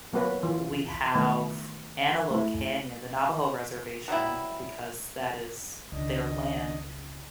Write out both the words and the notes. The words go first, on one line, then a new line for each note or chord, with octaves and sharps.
We have Antelope Canyon, the Navajo reservation, because that is their land.
F#3 A#3 B3 F#4 B4 C#5
E3 F4
D#3 A3 B3
A3 E4
B2 F#3 G3 E4
C#2 D#3 D4 D#5